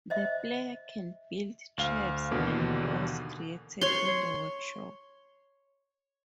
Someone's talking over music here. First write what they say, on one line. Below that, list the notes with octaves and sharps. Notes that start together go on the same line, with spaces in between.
The player can build traps and doors, created in the workshop.
C5 D#5 E5
D2 F5 F6
D#2 B2 D3 E3 A#3
C#5 C6